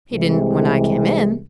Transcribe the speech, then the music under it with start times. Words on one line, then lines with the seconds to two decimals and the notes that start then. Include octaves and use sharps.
"He didn't when I came in."
0.12 C2 C3 E3 G#3